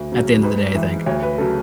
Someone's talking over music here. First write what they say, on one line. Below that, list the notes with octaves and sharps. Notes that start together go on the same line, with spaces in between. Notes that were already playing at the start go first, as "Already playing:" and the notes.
at the end of the day, I think.
Already playing: D2
C#3 F#3
G#2 B4
E3
D2 C#5
B4
C#3 F#3 A4